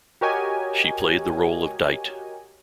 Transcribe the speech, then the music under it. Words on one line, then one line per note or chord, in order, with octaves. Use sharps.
She played the role of Dite.
F#4 G4 A#4 C#5 D#5 G#5